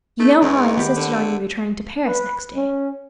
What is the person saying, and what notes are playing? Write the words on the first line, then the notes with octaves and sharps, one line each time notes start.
You know how I insisted on your returning to Paris next day.
A3 D#4
E2 G#3
D#3 B3 G4
D3
B4
C#4